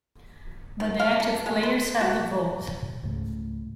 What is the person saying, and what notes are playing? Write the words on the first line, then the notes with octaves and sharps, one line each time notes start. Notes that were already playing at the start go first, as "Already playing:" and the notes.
But the active players have the vote.
D#3
F5
A4
G#3
C6
F#4
C#2 G#2 C#3 A3